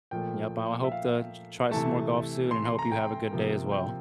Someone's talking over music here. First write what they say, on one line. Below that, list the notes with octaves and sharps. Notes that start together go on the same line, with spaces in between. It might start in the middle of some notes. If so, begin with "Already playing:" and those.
Yep, I hope to t try some more golf soon and hope you have a good day as well.
A#2 F3 A3 G5
E5
F5
C3 E3 A3 A5
C6
C6
A#5
G5
C3 F3 A#3
G5